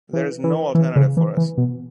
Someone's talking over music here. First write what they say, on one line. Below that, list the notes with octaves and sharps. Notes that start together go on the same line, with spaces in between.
There is no alternative for us.
E3
E3
E3
C#3
E3
E3
B2